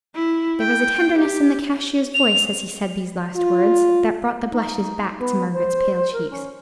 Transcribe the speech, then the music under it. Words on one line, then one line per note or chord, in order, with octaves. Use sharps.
There was a tenderness in the cashier's voice as he said these last words, that brought the blushes back to Margaret's pale cheeks.
E4
G5
G4
F7
F4
D#4
B3
C5
A#4
C#4